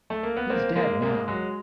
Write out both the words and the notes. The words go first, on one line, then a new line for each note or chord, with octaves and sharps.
He's dead, now.
A3
A#3
B3
A#3 C4
G#3 A#3
G#3 A#3
F#3 G#3